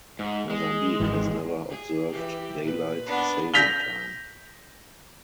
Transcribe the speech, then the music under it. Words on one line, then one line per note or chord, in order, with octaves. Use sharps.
Mozambique has never observed daylight saving time.
G#2
G#3
G#1 G#2 E3
G#4
E3 G4
A#2 B4
B3 D4
G6 A#6 B6 F7 G7